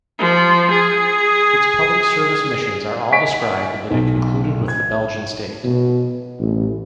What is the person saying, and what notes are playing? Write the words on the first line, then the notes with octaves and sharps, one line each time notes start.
Its public service missions are all described that it concluded with the Belgian State.
F3
G#4
D#5 F#5 G#5 C#6 B6 D7
B1
G#6
B2
A1